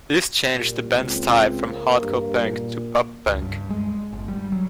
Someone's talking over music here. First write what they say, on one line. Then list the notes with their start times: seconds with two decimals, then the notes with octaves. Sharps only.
This changed the band's style from hardcore punk to pop punk.
0.54 A#2 G3
0.90 C#2 C4
1.66 A#3
2.01 G2
2.42 A#2
3.27 C#2
3.42 G2
3.70 G#3
4.13 G1
4.28 G3
4.52 F#3